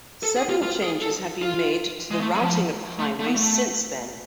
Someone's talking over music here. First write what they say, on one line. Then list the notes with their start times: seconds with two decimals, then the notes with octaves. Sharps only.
Several changes have been made to the routing of the highway since then.
0.23 A4
0.36 G#4
0.49 F4
0.63 F4
0.82 G#4
1.02 A4
1.42 F4
2.11 G#3
2.21 A3
2.35 G#3
2.41 F3
2.99 A3
3.19 A3
3.27 B3
3.36 A3